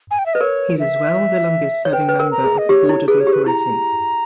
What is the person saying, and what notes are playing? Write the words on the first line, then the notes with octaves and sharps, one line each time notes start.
He is as well the longest serving member of the board of the authority.
G#5
G5
E5
B4 D#5
A#4 C#5
E5
C#5
B4 G5
B4
A#4
A#5
G#4
D#5
G4 C#5
E4
G#4 B4
C#5
G4
B4
E4 A#5